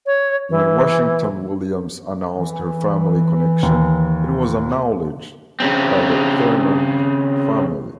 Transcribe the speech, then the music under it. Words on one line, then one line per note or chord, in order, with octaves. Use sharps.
When Washington-Williams announced her family connection, it was acknowledged by the Thurmond family.
C#5
E3
E3
D#2
C#3 C4